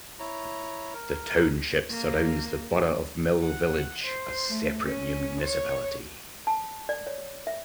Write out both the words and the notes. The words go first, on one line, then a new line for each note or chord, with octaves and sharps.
The township surrounds the borough of Mill Village, a separate municipality.
E4 C#5 A#5
A#4
A#3
F#5
C5
A3
C#4
C#5
A5
D5
C#5
E5